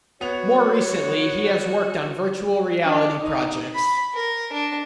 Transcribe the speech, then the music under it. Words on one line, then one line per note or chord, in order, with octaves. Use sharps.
More recently he has worked on virtual reality projects.
B3 F#4 C#5 F7
D4
D#4
B5
A#4
D4